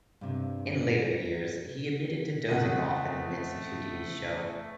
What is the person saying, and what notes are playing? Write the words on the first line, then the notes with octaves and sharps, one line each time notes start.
In later years, he admitted to dozing off in the midst of Houdini's show.
G2 C3
F2 C#3 A3 D#5 F#5 D#7